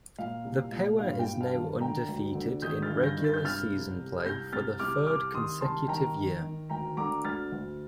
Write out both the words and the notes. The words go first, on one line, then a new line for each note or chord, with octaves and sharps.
The Power is now undefeated in regular season play for the third consecutive year.
A#2 F5
C2
A#2
G2 F5
G5
G2
F5 A5
D#3
D3 G5 A#5
D2
D3
D#3 D#6 G6
F6 A6
G2
G6 A#6
G2
A6
G6
C3 F6 A6
C2
C3
C2 G6 A#6
C2 F6 A6
C2 D6 F6
C3 D6 F6
D#3 C6 D#6
C2 A5 C6
D#3 G5 A#5
D#3
D#3
D2 G5 A#5
D3 A#5 D6
D2 F6 A6
D2